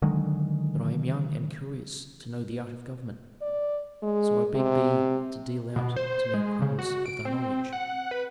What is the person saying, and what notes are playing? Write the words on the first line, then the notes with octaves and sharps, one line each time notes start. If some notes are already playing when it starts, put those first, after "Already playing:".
But I am young and curious to know the art of government, so I beg thee to deal out to me crumbs of thy knowledge.
D3 D#3 F#3 G#3
D5
G#3
C3
B2
C5
G#3
C#3
F#4
D7
C4
F#5
B4